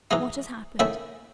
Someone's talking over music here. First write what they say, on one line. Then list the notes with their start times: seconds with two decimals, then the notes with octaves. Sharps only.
What has happened?
0.11 E3 G#3 D#4
0.79 D#3 A3 C#4 E4 E5